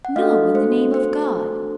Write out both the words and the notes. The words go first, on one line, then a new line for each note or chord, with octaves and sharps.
No, in the name of God!
F#5
A3 D4 F#4 A4 D#5 F5
C5
C5